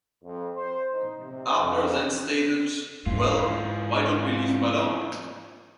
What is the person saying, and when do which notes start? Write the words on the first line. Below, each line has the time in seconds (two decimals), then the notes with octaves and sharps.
Adler then stated, Well, why don't we leave him alone.
0.24 F2
0.56 C5
0.91 D#4
1.21 C3
1.58 F2
3.06 G#2 E3 F4